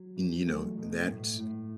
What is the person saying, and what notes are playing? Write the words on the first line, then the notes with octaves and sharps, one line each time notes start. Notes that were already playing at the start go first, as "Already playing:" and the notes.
and, you know, that
Already playing: F#3
E3
F#3 A3 A4
B2
A2
A2